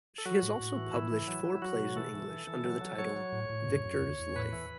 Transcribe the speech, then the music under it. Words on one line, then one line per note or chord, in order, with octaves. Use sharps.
She has also published four plays in English, under the title "Victor's Life".
A4
F#3 F#4
A2
A2
E3
A2 E4
E3
F#3
F#3
F#3 F#4
B2
E3 A4
E3
E3
E3
F#3
F#3
F#3 C#5
F#3
A2
A2
F#2
F#2
E2
E2
A2 B4
E3